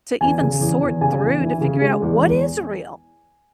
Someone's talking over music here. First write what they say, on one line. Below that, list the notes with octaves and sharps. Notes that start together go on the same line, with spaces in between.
to even sort through to figure out what is real.
E2 G#5
C#3
E2
E2
C#3 G#5
E2
E3
C#3
G#3
E2
E2